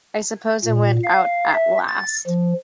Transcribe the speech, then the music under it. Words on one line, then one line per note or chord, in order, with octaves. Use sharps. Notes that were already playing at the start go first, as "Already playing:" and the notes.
I suppose it went out at last.
A#2
F5
E5
A6
F3